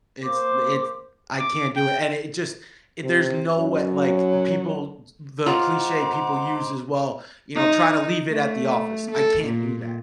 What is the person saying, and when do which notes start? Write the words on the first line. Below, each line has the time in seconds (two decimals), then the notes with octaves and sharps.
It's d it's I can't do it, and it just i there's no way like, people t the cliché people use is, "Well, you know, try to leave it at the office." I can't do that.
0.23 A#3 C5 D6
1.39 D6
1.76 G5
3.03 C3
3.56 F#2 F#3
5.46 G#3 F4 C5 F#5 A#5 D6
7.55 D#4
8.30 A3
9.11 A4
9.45 A#2